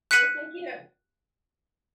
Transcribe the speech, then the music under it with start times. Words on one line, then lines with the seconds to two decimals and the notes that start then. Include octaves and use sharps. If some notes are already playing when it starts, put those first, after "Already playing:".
Well, thank you,
0.11 F#6 B6 C#7 D#7 F#7